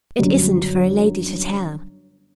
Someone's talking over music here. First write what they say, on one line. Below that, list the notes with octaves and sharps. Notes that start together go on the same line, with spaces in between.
'It isn't for a lady to tell.'
G1 F#2 F#3